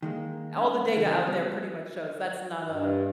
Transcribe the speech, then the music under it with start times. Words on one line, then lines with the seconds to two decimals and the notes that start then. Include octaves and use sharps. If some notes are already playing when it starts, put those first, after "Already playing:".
all the data out there pretty much shows, that's not a
0.03 D#3 G#3 A#3
0.57 C#4
0.96 C#3 E3
1.27 E2 C#3 F3 G3 B3 C4
2.70 G2